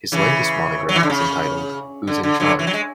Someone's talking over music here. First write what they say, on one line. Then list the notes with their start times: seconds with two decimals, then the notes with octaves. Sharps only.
His latest monograph is entitled Who's in Charge?
0.12 C#3 E3
0.89 F#3
0.96 E3
1.03 D3
1.10 C#3
2.07 D3
2.23 D3
2.40 D3 F#3
2.59 E3
2.67 F#3
2.74 G#3